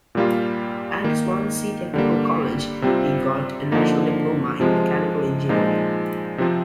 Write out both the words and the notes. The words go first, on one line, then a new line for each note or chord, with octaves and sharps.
At Swansea Technical College he got a National Diploma in mechanical engineering.
A#2 G3 A#3 F4
D#3 A#3 D#4
D3 G3 A#3
C3 G3 C4 F4
D3 F3 A#3 D#4
C3 F3 G#3
A#2 F3 G#3 D#4
C3 F3 C4